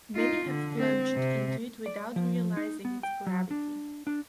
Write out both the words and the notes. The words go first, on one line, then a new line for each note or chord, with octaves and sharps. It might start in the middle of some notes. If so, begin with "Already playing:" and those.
Many have plunged into it without realizing its gravity.
D#4 F4
D3
C4
C3
D5
F3
D#4
B3
G5
F#3
D4
D4